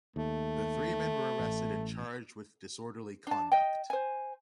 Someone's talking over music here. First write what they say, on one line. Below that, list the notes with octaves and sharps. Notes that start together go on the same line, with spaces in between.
The three men were arrested and charged with disorderly conduct.
D#2 A3
A1
D4 A5
D#5 G5
C5 G#5